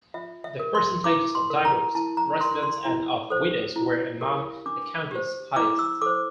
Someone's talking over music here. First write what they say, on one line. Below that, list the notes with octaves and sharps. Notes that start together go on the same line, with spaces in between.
The percentages of divorced residents and of widows were among the county's highest.
F4 E5
E5
A#4
C6
E4 D6
C6
A#4
A#5
E4 A5
A#5
A#4 C6
C6
E4
A4 C5
E4
G4 A#4
D4 D6
G4 C5
E4 D6
E6
A4 C5 D6